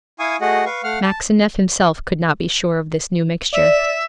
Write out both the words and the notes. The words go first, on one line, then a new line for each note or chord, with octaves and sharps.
Maxineff himself could not be sure of this new mixture.
E4 F5 G#5 C#6 D#6
A3 F#4 G#4 D#5 F#5
B4 F5 C#6
A3 F5 F#5 F6
A5
D5 E5